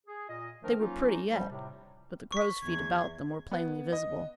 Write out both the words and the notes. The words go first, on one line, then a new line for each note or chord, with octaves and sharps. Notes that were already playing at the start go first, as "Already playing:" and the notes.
They were pretty yet, but the crow's feet about them were plainly visible.
G#4
A#2 F4 D#5
D#3 F3 A3 D4 A#4
F#3 A#3 C#4 D#4 F4
F#2 F3 G3
A2 C3
C#6 B6
E2 G#6
B3
D#5